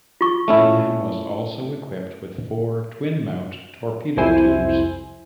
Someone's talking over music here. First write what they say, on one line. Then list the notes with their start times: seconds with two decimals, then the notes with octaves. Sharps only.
"Benham" was also equipped with four twin mount torpedo tubes.
0.21 F4 C#6
0.48 A3 C#4 E4
4.17 C2 F2 C3 E4 C5 G#5